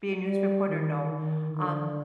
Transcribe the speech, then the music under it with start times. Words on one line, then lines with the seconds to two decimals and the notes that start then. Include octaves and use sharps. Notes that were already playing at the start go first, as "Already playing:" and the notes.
Be a news reporter, no, um,
0.22 G3
0.68 D#3
1.15 D#3
1.53 D#3
1.61 D3